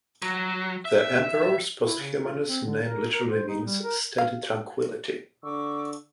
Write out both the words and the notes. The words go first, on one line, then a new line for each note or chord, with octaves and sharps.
This emperor's posthumous name literally means "steady tranquillity".
F#3
E5
E4
C#3
F4
C4
D3
A#4
A#4
C5
D#4
G3
A#4
F5
D3 C#6 D6 E6